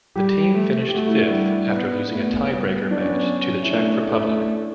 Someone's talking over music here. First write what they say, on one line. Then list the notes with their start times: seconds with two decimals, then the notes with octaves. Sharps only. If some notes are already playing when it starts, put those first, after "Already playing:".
The team finished fifth after losing a tie-breaker match to the Czech Republic.
0.16 G3 G4
0.54 A3
0.89 G4
0.94 A3 F#4
1.07 E4
1.20 D4
1.33 G3
1.72 B3
2.12 A3 B3
2.52 G3
2.90 F#3 D4
3.01 C#4
3.11 B3
3.21 C#4
3.63 E4
3.69 A3 D4
4.08 A3